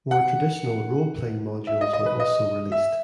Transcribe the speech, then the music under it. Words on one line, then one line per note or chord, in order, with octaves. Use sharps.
More traditional role-playing modules were also released.
F#5
E5
D#5
D#5
B4
D#5
E5